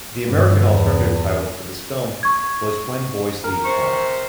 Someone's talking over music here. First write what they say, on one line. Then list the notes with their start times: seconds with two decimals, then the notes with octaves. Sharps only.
The American alternative title for this film was When Boys Leave Home.
0.25 G2
0.66 E2
2.23 C#6 G#6
3.44 A#4
3.64 C3 C5 C#6